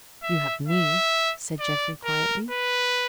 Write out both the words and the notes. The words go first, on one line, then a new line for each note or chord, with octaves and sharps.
"You have me," said Jeffrey quietly.
E5
E5
D5
A#4
B4